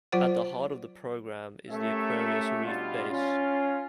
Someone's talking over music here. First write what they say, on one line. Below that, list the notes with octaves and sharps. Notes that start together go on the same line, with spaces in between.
At the heart of the program is the Aquarius Reef Base.
F#3 F4 C5 F#5
A3 C#4 G4 A#4 C#5 E5
B2 G3 D4 E4 F4
C#4 F4